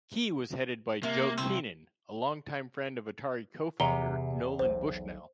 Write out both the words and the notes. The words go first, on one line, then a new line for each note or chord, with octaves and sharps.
Kee was headed by Joe Keenan, a long-time friend of Atari co-founder Nolan Bushnell.
C3 A#3
C2 C4
E2 C3 A#5 G7
B1 C5